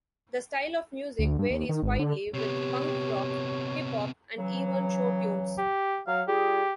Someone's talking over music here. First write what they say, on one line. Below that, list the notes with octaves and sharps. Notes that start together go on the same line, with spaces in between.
The style of music varies widely, with punk rock, hip-hop, and even show tunes.
D2
G2
D#2
D#3
G#1
D3
C3 B3 G4 C#5
C#3 E3 F#3
G4
F#3 F5
G3 F4 G4 G#4